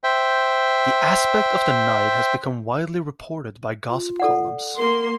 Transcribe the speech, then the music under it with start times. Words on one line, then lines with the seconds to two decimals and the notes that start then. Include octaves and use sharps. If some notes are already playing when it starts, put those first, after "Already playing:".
This aspect of the night has become widely reported by gossip columns.
0.04 C5 E5 G5
3.89 F4
4.20 A4 D5 F#5
4.77 A#3 A#4 C6